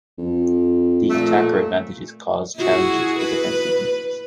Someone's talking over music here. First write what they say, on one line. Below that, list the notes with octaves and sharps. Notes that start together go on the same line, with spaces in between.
These attacker advantages cause challenges for defense mechanisms.
F2
A#2 A3
E4 F#4 G#4
B4